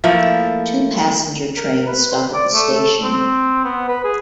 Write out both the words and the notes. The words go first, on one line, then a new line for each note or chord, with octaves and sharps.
Two Passenger trains stop at the station.
F3 A3 A#3 E4
A#4
B4
C5
D5
A3
A4
C4
B3
B4
G#4